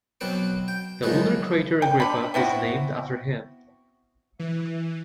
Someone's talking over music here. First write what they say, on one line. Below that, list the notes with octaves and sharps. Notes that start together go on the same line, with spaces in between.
The lunar crater Agrippa is named after him.
B2 F#3 C4 B4 D6
G5
D#3 F3 F#3 G#3 G#4 B4
G5
D3 B5
B3 C4 E4 F#4
E3